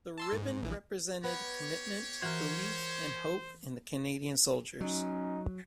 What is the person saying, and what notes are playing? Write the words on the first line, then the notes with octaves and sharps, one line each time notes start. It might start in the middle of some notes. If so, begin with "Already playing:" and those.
The ribbon represented commitment, belief and hope in the Canadian soldiers.
A5 C6 E6
G#2
A#1 E3
A#3 B3 G4 C#5
E3 F#4 A#4 C5
F#3 C#4 D#4